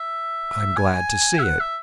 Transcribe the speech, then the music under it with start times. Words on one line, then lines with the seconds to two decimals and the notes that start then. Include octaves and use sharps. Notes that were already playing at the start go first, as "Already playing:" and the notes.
"I'm glad to see it."
Already playing: E5
0.76 G#5
1.38 E5
1.43 F#5
1.60 E5